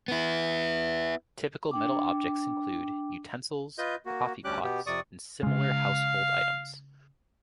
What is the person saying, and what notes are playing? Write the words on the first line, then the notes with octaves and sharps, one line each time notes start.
Typical metal objects include utensils, coffee pots, and similar household items.
B3 E4
D4 G5 D6
F4 B4 D#5 G6
A#3 F#4
D2 G3 C#4 G4 D6 F#6
B2 B3 G4
F2 C3 D5 C#6 D#6
C#3 G#3 F5